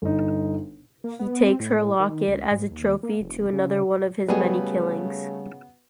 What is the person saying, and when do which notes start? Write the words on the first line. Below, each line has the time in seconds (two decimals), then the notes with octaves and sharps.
He takes her locket as a trophy to another one of his many killings.
0.02 G1 D#4
1.04 A#3
1.19 B3
1.46 C4
1.60 A2
2.00 D#3
2.28 C#2
2.51 G#2
2.71 D#2
3.03 A#3
3.21 F1
3.53 C#3
4.28 C#3 G3 A3 B3 F#4 G#4 B4 D#5